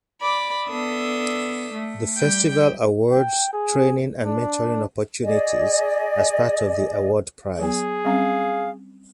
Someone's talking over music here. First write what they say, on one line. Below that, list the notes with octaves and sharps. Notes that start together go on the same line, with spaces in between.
The festival awards training and mentoring opportunities as part of the award prize.
D5 B5 D6
B3 D4 A4 E5 D#6
A3
G3 G5 G6
G5
G#4
D4
G#4 D5 D#5 G#5
F#3 B3 G#4
G3 C4 C#4 F5